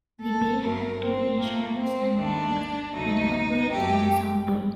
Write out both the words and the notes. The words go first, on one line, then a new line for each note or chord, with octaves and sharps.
The bay had two inshore sand banks, the North Bull and the South Bull.
A4
G2 F#3 A3 A#4
C4
A#2 A3 A#3
C4
D#2 D#3 A3 D4
D2 C3 F#3 A3 D#4
F#2 F#3 A3 G4